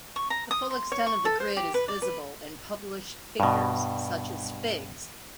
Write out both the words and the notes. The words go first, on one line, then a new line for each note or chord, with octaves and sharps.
The full extent of the grid is visible in published figures such as Figs.
C#6
A#5
D#6
C6
C#5
C#6
A4
C5
G4
B4
D5
B4
G2 B2